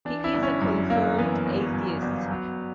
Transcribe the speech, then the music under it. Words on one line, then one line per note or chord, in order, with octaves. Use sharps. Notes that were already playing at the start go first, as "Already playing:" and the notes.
He is a confirmed atheist.
E3 D4
E4
G1
C#4
F#2
G1 A#3
E3 B3
G1
F#2
G1
F#3